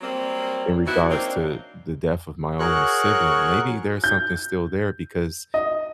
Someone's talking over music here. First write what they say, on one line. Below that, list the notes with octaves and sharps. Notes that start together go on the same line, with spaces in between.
in regards to the death of my only sibling. Maybe there's something still there," because,
F#3 G3 A#3 C4
B2 D#3 E4 F#4
F#3 A#3 C4 D4 D#4
F#4 G#4 A#4 C#5 C#6 F#6
G6
D#5